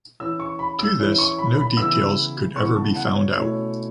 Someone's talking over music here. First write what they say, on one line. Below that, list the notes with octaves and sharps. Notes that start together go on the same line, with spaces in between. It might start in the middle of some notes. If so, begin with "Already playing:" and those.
To this, no details could ever be found out.
E3 C#4 E4 E6
C#6
B5
E6
E3 C#4 E4
C#6
B5
B5
C#3 E3 B3 E4 E6
C#3 E3 B3 E4 C#6
A5
F#5
C#5
B2 A3 C#4 E4 C#5